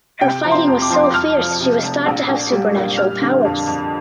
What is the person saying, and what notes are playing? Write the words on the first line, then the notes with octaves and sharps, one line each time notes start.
Her fighting was so fierce she was thought to have supernatural powers.
C3 G5
F3 A#5
C6
F2
D6
F3 C6
D6
F2 F6
F3
C3
F1
A#1
A#1
G3
A#2
G3 F6
D3
F2
F2